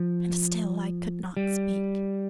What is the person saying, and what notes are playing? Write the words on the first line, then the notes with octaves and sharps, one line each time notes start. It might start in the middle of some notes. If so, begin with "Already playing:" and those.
And still I could not speak.
Already playing: F3
G3